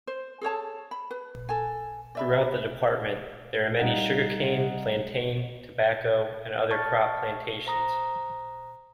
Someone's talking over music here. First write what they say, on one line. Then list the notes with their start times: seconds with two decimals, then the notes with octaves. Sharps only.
Throughout the department, there are many sugar cane, plantain, tobacco, and other crop plantations.
0.07 C5
0.41 G#4 A4 C#5 A5
0.91 B5
1.11 B4
1.49 A4 G#5
2.15 D5 E5 B5
3.79 G3 D#4 F5 F#5
6.71 D5 A5 C#6 F6 A6
7.67 C5 A#5 D#6 A#6